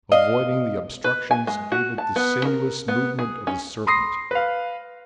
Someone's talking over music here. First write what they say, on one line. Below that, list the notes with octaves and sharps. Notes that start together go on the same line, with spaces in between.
Avoiding the obstructions gave it the sinuous movement of a serpent.
D#5 F5
B4
G#5
G#3
F#4
A5
B3
A#4
B3
G#4
C#4
B5 C6 D#6 A#6 C7
B4 F5